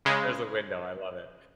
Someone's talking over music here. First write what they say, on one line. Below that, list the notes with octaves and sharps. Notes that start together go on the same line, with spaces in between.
There's a window, I love it.
C#3 G#3